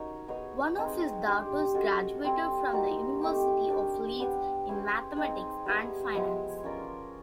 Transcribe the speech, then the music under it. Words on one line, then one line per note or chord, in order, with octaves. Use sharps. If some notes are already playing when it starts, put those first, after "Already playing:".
One of his daughters graduated from the University of Leeds in Mathematics and Finance.
Already playing: C#4 D#4 F#4 A#4 C#5
B3 D#4 G#4 C#5
G#3 C4 D#4 G#4
D4 G4 C5
G#3 C#4 F#4 A4
G3 C4 E4
G3 A#3 D#4 F#4
A3 C4 D#4 G4
D4 G4 A#4
B3 D4 G4
C#4 E4 G#4 C5
C4 D#4 G#4
G3 B3 E4 G#4
F3 G#3 B3 E4
C#4 F4 A#4 D5